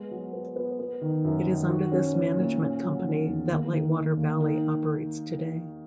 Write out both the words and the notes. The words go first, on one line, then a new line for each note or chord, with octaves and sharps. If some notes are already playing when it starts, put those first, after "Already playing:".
It is under this management company that Lightwater Valley operates today.
Already playing: G#3 B3
F#3
B3
B3
B3
D#3
F#2
D#3
F#4
C#4
C#4
A#2
C#4
F#3
D#3
E2
D#2
D#3
D#3
D#2
D#3